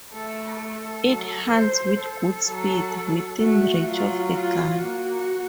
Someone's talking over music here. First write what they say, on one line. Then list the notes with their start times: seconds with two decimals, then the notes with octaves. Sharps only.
It hunts with good speed, within reach of the gun.
0.13 A3 A4
0.60 A4
1.07 F#3
1.53 C5
2.01 A4
2.48 F#3
3.41 A3 F#4
3.88 F#3 F4
4.34 F4
4.81 A#3 F#4